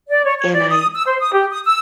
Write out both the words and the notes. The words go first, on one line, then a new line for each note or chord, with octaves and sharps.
and I
D5
C#5
C#5
D5
D#6
E6
C5
D#6
G4
D#6
E6